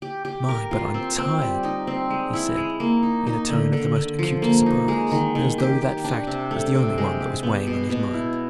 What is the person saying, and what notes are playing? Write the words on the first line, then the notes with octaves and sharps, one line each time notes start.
"My, but I'm tired!" he said, in a tone of the most acute surprise, and as though that fact was the only one that was weighing on his mind.
G4
G4
A#4
F4
C4
C4
G3
D#4
C4
G#3
E4
G#3
A#3
D#4
D#4
D3
D3
D3
F3
A#3
D#4
G#3
D#3
D#3
G4
G4
D4
C3
A3
C3
G#3
G4
B3
B2
B2
E4